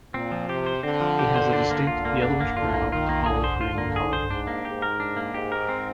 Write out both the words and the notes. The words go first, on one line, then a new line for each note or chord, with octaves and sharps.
It has a distinct yellowish-brown to olive-green colour.
A#2 C4
F3
C3 G4
C5
D3 C4
F3
G4
C5
D4
A#3
D3 F4
A#3
D4
A#3
D3 F4
A#3
D#3 F4
A#3
D3 G#4
C5
D3 F4
A#3
G#4
C5
G#2 D4
A#3
G#2 G4
A#4
D4
A#3
G#2 G4
A#4
C4